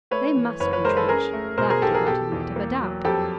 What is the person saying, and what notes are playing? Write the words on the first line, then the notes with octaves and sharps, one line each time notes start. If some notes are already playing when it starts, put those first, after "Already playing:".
They must retrench; that did not admit of a doubt.
A3 B4 C#5
E3
F#1 B4 C#5
B4 C#5
G#3 A#4 C5
A4 B4
C#4 G#4 A#4
A3
B2 A#4 C5
G#4 A#4
B1 G4 A4
G#4 A#4
B2 G4 A4
E2
A#3
F#3
F2 G4 A4